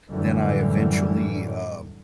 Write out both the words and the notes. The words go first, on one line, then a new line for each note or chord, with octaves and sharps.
then I eventually, um,
F#2 A2 D3 E3 G3